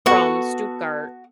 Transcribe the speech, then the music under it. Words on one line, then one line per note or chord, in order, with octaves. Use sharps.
from Stuttgart,
B3 F#4 A4 F#5 C#6